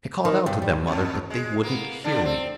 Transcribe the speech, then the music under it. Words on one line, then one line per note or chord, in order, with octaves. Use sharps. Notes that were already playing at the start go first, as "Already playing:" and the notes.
"I called out to them, mother, but they wouldn't hear me."
D#3
G2
G3
F2 B2
G#3
A#3 B3
D3 G3 D4
C4